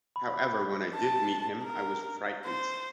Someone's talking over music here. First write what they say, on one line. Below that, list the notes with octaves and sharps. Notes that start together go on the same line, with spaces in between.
However, when I did meet him I was frightened.
B5
A5
A#4
C5